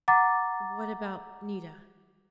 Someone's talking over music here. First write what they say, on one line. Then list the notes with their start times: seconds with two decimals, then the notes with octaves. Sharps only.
"What about--Nita?"
0.08 F#5 A#5 D6 A6